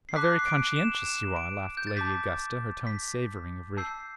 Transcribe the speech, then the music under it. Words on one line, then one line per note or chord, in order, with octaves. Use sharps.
"How very conscientious you are!" laughed Lady Augusta, her tone savouring of ridicule.
C7
A5 D6 F#6 B6
C7
D7
E7
E7
D7
G6
A6
A5 D6 G6 B6
B6
A5 E6 G6 C7